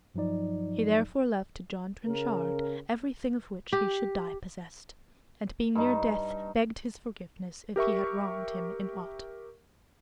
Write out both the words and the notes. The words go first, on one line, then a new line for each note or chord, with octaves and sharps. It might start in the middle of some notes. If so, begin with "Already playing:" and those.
He therefore left to John Trenchard everything of which he should die possessed, and being near death begged his forgiveness if he had wronged him in aught.
G2 F3 F#3 D#4 D5
C#3 A#4
G4
G2 D#4
G4 A#4 E5 C#6